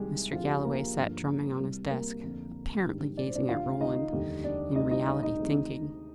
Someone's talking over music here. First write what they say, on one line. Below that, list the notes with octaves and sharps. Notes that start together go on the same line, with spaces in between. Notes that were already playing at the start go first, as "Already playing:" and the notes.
Mr. Galloway sat drumming on his desk, apparently gazing at Roland; in reality thinking.
Already playing: C2 C3 D#3 G3 G#3 G4 G#4
D2 C3 F3 F4
G4
G#4
A#3 A#4
G1 G2 D3 F3
C2 C3 G3
A#3 A#4
F2 D3 F3
A#1 G#2 D#3 G3
D5
C5
D4 D5
D2 D3 G3 F4 F5
D#4 D#5
F1 D#2 D3 G3
D4 D5
D2 C3 G3 D#4 D#5
D#4 D#5
D#4 D#5
D#4 D#5
D2 C3 D#3 G#3